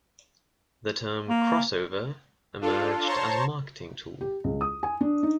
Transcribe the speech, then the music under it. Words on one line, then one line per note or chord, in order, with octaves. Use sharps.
The term "crossover" ermerged as a marketing tool.
A#3
D4 F4 A4
C5 C#5 A5 A#5 C6 C#6
G4
C#2
D#6
G#5
D4
D#4